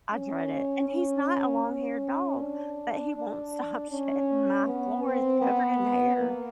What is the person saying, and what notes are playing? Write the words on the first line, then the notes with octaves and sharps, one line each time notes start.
I dread it. And he's not a long-haired dog, but he won't stop shedding, my floor is covered in hair,
C#4
C#4
C#4
D4
D4
C#4
B3
C4
B3
A#3